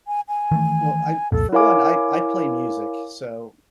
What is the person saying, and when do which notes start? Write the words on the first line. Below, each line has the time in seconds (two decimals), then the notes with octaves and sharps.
Well, I for one, I I play music, so
0.07 G#5
0.28 G#5
0.51 D#3 E3 A3
1.32 C2 F2 A#2 A4
1.53 E4 A#4 C#5 F5 G#5 D6